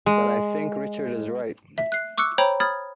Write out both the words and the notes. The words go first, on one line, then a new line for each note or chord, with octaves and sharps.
But I think Richard is right.
G#3
E5
F#6 C7
C#6 D6 E6 F#6 C#7
C5 C#5 G5 A#5 B5
B5 D#6 F6 G#6 A6